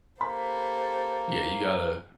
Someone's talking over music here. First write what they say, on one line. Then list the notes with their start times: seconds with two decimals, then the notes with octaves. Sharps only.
Yeah. You gotta
0.21 A#3 G4 A4 C5 B5